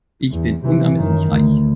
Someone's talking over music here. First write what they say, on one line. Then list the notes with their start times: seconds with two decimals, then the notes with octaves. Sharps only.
Ich bin unermesslich reich.
0.32 E2
0.64 C3 E3
0.95 F#2 D#3
1.29 D2